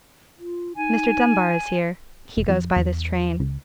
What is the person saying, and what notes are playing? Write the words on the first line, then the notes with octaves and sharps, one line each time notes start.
Mr. Dunbar is here; he goes by this train.
F4
D#4 G#5
F1
F2
E2
C#2